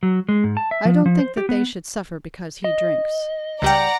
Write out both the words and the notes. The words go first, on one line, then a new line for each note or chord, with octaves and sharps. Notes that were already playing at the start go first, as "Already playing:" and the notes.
"I don't think they should suffer because he drinks."
F#3
G#3
G#2
A5
E5
F3
F3
C5
G4
B3
D#5
C#2 G3 D5 F#5 G5 A#5